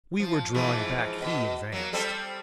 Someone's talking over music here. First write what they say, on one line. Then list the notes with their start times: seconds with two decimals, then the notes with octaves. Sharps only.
We were drawing back, he advanced!
0.20 F3
0.54 G#2 E3 F3
1.22 B2
1.72 F#3 A#3
1.93 G3 C4 A4